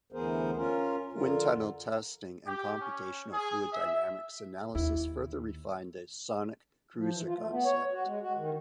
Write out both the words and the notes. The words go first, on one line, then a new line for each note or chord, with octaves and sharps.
Wind tunnel testing and computational fluid dynamics analysis further refined the Sonic Cruiser concept.
D2 E3 B3 G#4 A#4 C5
C#4 F4 A#4
F2 D3 F4 A#4
G4
C#4
G#4
E5
D#2 E4
F3
E3
F4
A3
B3
C#5
F#4
G#3
F#4
D#3